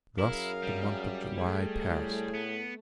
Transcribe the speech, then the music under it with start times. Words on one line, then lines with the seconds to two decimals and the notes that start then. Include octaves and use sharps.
Thus the month of July passed.
0.20 F#2 E4 G#4 A#4 F5
0.63 G3
1.37 A3 G#4
1.88 A2
2.35 B3